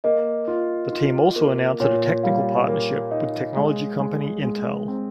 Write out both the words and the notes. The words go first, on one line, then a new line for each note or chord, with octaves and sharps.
The team also announced a technical partnership with technology company Intel.
A#3 D#5
F4
F4
A#3
A#2 C#5
G3 F5
A#3
D#4
G#3
G#3
G#3
C4